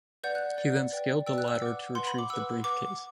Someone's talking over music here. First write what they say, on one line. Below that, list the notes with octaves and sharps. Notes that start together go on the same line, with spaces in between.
He then scaled the ladder to retrieve the briefcase.
B4 D5 F#5 G6
F#6
B4 D5 F#5
B4 D5 G5
B4 D5 G5 E6
F#6
E6
B4 F#5 D6
B4 F#5 C6
B5
D6
B4 F#5 E6
B4 F#5 D6